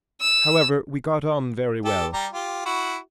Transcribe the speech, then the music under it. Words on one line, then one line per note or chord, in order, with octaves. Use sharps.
However, we got on very well.
E6
G4 A4
G3 G4 A#5
F4 G4
E4 F#4